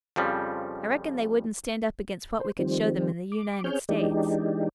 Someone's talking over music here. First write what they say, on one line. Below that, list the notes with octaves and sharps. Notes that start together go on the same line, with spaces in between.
I reckon they wouldn't stand up against what we could show them in the U-nited States.
F2 C#3 F3 G3
C5
D#3 F3 G3 C4
D6
C4 C#4 G#4 C#5 F6 G6
E3 G#3 D4 D#4 G4